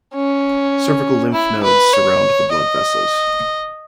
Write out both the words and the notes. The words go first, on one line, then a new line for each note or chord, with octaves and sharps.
Cervical lymph nodes surround the blood vessels.
C#4
E4
B4
C#5
D#5